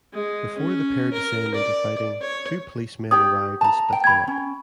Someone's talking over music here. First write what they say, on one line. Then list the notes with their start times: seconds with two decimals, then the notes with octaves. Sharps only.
Before the pair descend into fighting, two policemen arrive and split them up.
0.13 G#3
0.58 C#4
1.13 A#4
1.55 D5
2.21 C#5
3.11 G4 C#5 D#6
3.61 A5 A#5
3.92 G5
4.04 B5 G#6
4.27 C#4